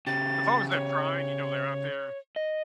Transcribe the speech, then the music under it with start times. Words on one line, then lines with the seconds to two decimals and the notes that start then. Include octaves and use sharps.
As long as they're trying, you know, they're out there
0.07 C#3 G4 A6
0.71 C#5
2.36 D#5